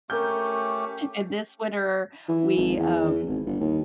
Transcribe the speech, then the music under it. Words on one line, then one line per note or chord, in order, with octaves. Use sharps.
and this winter, we, um
A3 C#4 G4 A#4 G6
E3
G#1
E2
G#1
G1
D#2